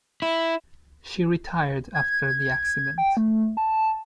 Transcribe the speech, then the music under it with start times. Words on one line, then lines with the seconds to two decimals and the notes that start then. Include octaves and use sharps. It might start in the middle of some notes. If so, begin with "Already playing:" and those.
She retired after the accident.
0.22 E4
1.95 G#6
2.98 G5
3.17 A3
3.57 A5